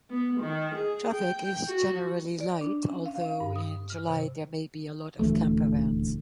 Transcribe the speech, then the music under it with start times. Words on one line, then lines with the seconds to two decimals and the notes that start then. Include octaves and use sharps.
Traffic is generally light, although in July there may be a lot of campervans.
0.10 B3
0.41 D#3
0.75 G#4
1.12 G5
1.68 F#4
2.40 D5
2.61 D4
2.83 C#4
3.06 F5
3.21 F5
3.40 G2
3.56 D#6
3.90 F6
4.08 C3
5.19 D#1 D2 E3 A3